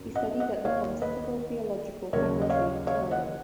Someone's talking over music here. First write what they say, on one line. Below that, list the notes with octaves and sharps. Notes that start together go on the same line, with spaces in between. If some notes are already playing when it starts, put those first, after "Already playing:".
He studied at the Pontifical Theological Faculty of Turin.
Already playing: G#1 F#2
D#5 F#5
D#5 F#5
D#2 D#3 A#3 C#5 F5
B4 D#5
D#2 C#3 F#3 A#3 A#4 C#5
D#5
C#5 F5
C#5 F5
D#5 F#5